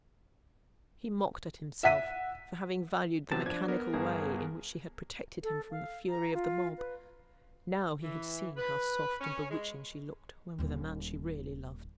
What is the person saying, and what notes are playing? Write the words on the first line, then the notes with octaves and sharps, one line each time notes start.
He mocked at himself, for having valued the mechanical way in which she had protected him from the fury of the mob; now he had seen how soft and bewitching she looked when with a man she really loved.
E5 F#5 B6 D#7
C3 F#3 B3 C4 A5
F3 D4 G#6
B3 A#4
G1 G#4
A4
F5
A#5
F4
B4
E3
B4
C#4
G#3
D#1 D#2